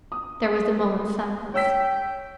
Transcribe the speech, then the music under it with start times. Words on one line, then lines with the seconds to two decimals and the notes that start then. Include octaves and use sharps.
There was a moment's silence.
0.12 D#6
1.54 C#5 G5 E6 B6